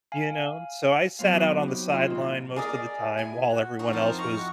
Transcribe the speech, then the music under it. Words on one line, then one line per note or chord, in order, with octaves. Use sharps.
You know? So, I sat out on the sideline most of the time while everyone else was
F5 G#5
F#3 B3 C4 F5
D#4 F#4
G4
D#3 F4 C6
A#2 E3
G#4 A#4 D5 D#5
E4 G#5
F#4
D#4 F#4
F2 E4 A#4 C5 A5
D#4 F5 A#5 C#6
F#4